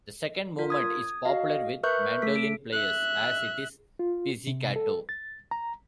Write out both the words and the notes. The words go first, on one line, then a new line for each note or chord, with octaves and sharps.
The second movement is popular with mandolin players as it is pizzicato.
F4 A#4
D#6 G#6
F#4 D#5 F5
A#4 B4 E5 C#6 F#6 G6
A3 A4 B6
D7
E5 F#6
F4
C3
A4
A6
A#5